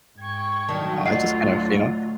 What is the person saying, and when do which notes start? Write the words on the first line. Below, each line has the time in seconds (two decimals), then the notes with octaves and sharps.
I just kind of, you know
0.17 G#2 G5 C#6 G#6
0.69 A2 D3 D#3 F#3 G3 A5
1.05 D2 F4 D#5 F#5 C7